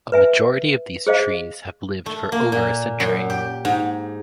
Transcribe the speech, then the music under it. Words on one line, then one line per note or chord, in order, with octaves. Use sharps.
A majority of these trees have lived for over a century.
B4 E5 G#5
G#4 C5 D#5 F5
A3
A#3
A#2
F#2
G4
G#2